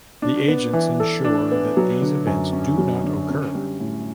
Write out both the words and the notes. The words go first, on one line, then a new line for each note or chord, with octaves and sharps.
The agents ensure that these events do not occur.
D4
B3
E3
A4
D4
B3
F#3
D3
F#2
C#4
F#3
D3
C#4
G3
A2